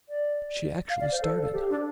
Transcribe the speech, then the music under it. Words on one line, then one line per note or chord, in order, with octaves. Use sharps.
She actually started.
D5
F5
D5
C5
A4
G4
D4